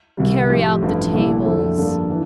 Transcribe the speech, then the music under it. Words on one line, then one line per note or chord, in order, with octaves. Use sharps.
"Carry out the tables."
C2 C3 G3
A2 F3 C4 G4
A1 G2 F3 A3
C2 A#2 A3 E4 A4
F2 D3 A3 D4 A4
G2 F3 A#3 D4 A4
E3 D4